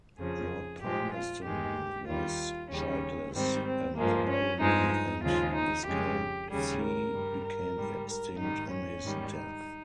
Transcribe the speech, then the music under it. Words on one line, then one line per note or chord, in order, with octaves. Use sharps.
Lord Palmerston was childless and the barony and viscountcy became extinct on his death.
F2 C#3 F3 G#4
A#2 F3 G#3 G4
F4
G2 D#3 G#3 G4
D#2 D#3 G3 F4
D#2 C#3 G3 C#4
G#2 D#3 G3 C4
C4
G2 F3 G#3 A#3
C#4
G2 F3 G#3 D#4
D#4
D#2 C#3 F3 G#3 F4
D#4
F2 C#3 G#3 G4
D#2 C#3 G3 G#4
A#4
G2 G3
A#4
G#2 G3
A#4
G#2 D#3 G3 D#4
C#4
G#2 D#3 G3
D#4